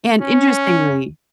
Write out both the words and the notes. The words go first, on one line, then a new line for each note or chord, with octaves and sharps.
and, interestingly
C#4